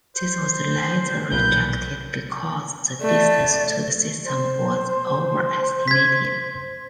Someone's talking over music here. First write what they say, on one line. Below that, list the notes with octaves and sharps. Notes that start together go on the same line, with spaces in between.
This was later rejected because the distance to the system was overestimated.
C5
B1 A#2 B4 G6
A3 D5
C5
G#6 B6